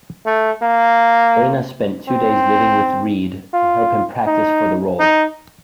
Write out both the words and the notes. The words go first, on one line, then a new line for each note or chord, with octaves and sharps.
Bana spent two days living with Read to help him practise for the role.
A3
A#3
C4
F4
D#4
D#4